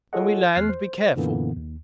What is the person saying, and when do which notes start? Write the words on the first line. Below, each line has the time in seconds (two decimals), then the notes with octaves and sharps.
When we land, be careful.
0.13 F4 G#4 A4 C#5 D#5 F#5
0.55 E2 F6 F#6 C7
0.69 C5
1.16 F#2 A#2 D3 E3 A#3 B3
1.57 D#2